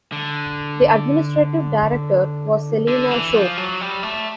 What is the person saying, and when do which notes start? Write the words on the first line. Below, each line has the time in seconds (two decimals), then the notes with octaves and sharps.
The Administrative Director was Selina Chow.
0.12 D3
2.88 D3
3.11 E3
3.34 F3
3.57 F#3
3.81 G3
4.03 A3